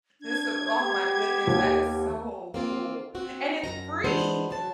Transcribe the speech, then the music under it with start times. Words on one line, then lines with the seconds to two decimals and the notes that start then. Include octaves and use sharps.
just oh, my goodness, that is so cool, and it's free!
0.21 D4 G#6
0.79 B3 G4
1.47 D#2
2.54 A#3 C4 F4
3.15 C4 F#4
3.64 F#2 A#5
4.04 E3 G#3 B3 D4 C5
4.50 C#3 F#3 F#4 A5